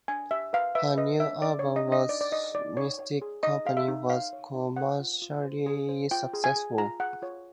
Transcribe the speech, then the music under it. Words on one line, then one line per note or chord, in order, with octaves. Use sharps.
Her new album was Mystic company was commercially successful.
D4 G#5
G4 E5
B4 F5
B4 E5
B4 D#5
D4 E5
D4 D5
C#5
D4
D#5
D4 D#5
D#4 D5
D5
D#4 D#5
D#4 D5
D#4 C#5
C#5
G#4
D#4 D#5
G#4 F5
E5
D#4
C#5 F5
C#5
D#4
C5 F#5
F4
F4
C5
G#4
C5
F4 G5
G#4
G#5
G#4
F4 A#5
G#4 F#5
F4 C#5